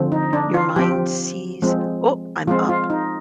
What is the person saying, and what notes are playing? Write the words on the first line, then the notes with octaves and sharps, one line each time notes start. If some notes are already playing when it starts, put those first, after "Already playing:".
your mind sees, "Oh, I'm up."
Already playing: D3 F3 C4
D#4
D4
F4
F3 C4 G4
F3 G#3 C4
F3 G#3 C4 F4
F4
D#4